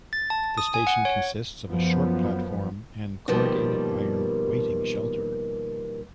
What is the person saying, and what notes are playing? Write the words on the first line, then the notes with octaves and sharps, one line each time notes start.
The station consists of a short platform and corrugated iron waiting shelter.
A6
A5
D#6
G#5
F#5
C#5
F#2 F3 B3
B2 D#3 F3 G3 A#3